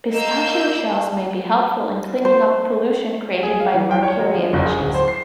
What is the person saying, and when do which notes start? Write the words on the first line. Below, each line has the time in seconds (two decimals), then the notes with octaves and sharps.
Pistachio shells may be helpful in cleaning up pollution created by mercury emissions.
0.12 A#3 D#5 E6 G6
2.25 C5
3.43 G#4
3.60 F5
3.74 E3
3.91 G5
4.03 C#5
4.20 F#3
4.35 F3
4.53 F#1
4.66 G#4
4.79 D1
4.94 C5
5.08 C7